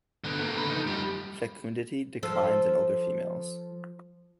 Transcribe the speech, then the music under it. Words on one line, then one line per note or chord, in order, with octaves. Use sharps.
Fecundity declines in older females.
D3 B3
A3 A#3
D3 B4
F3 D#4
F#2 G3
F3 A4